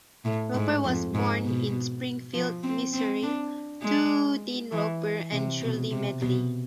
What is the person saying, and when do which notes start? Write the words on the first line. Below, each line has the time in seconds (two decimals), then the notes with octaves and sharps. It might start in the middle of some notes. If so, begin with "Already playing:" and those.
Roper was born in Springfield, Missouri, to Dean Roper and Shirley Medley.
0.25 A2
0.54 G#2
0.84 F2
1.15 G#2
1.44 B2
2.34 F3
2.63 C4
2.93 C4
3.23 D4
3.82 G#3
4.72 E3
5.32 C3
5.61 B2
5.91 C3
6.21 B2